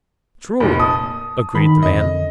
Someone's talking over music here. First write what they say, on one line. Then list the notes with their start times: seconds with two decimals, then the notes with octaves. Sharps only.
"True," agreed the man.
0.60 F1 A#2 B5
0.80 A5 D#6
1.55 D#3 B5
1.83 F2 D3 D#5